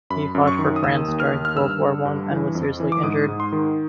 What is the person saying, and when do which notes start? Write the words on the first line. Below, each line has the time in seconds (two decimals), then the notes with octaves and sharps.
He fought for France during World War One and was seriously injured.
0.10 F#2 B5
0.35 F#2
0.47 C#6
0.59 D#3
0.76 D#6
0.84 D#2 E6
1.08 D#2
1.20 F6
1.33 D#2
1.45 F6
1.57 G2 E6
1.81 D3
2.05 G2
2.31 E3
2.55 F2
2.80 E3
2.92 D6
3.03 G#2 D#6
3.28 G#2
3.40 C6
3.52 D#3